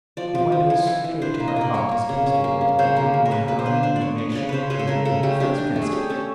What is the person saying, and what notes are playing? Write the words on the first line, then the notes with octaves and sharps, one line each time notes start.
It went as straight to my heart as a pistol bullet could do, my high indignation proving no defence against it.
F3 D5
F3
F3
E3
E3
E3
D4 C5
B4
A#3
D#5
A#3 D5
A#3 C#5
A#3
C#3
C#4
A#3
C#4
C#3 C5
A#3
A#3
A#4
A#3 B4
A#3 B4
C5
D3 B4
D4 C5
D5
B3 C#5
D4
C#3 C#5 D5
C#3 B4 C5
C#3 B4
A4
C#3 A#4
C#3 A4
A3 G4
D4 G4
D4
A3
G#4
C#4 G4
C#4 A4